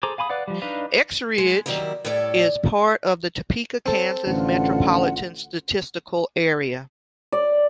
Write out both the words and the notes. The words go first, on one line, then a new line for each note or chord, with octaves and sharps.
Eskridge is part of the Topeka, Kansas Metropolitan Statistical Area.
G#4 A4 C5 A#5 D6
F5 G#5 B5 D6 D#6
B4 D5 F5 F#5
F3 G3
D4 D#4 B4 D#5 F5
G#3
D#3 F#3 G3 A#3 E4
A2 G3 E4 A4 C#5 D5
C4 A4
A1 D3 F4 F#5
D5